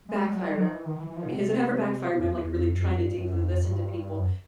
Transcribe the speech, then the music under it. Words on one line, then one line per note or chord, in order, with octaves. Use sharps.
backfired on me? Has it ever backfired when I'm, like, really trying to deeply listen to people?
G#3
G#3
F#3
G3
F#3
F3
E3
D#3
E3
E3
F3
B2
C3
B2
F2
E2
E2
F2
F#2
F2
F#2
G2
G2
F#2
F2
F2
G2
F#2